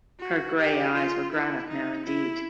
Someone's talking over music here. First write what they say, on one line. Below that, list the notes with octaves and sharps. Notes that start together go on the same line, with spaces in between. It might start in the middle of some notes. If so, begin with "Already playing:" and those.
Her gray eyes were granite now indeed.
F#4
G4
F4
E4
D#4
E4